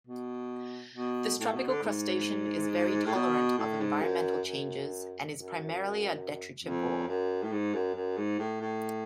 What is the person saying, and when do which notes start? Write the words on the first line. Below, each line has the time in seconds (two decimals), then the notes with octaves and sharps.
This tropical crustacean is very tolerant of environmental changes, and is primarily a detritivore.
0.07 B2
0.95 B2
1.39 A2
1.53 B2
1.68 D3
1.83 G#2
3.06 A2
3.14 B2
3.58 A2
3.80 G#2
4.01 F#2
4.46 F#2
5.32 F#2
6.64 F2
7.08 F#2
7.43 A2
7.52 G#2
7.74 F#2
7.95 F#2
8.17 G#2
8.39 A2
8.61 A2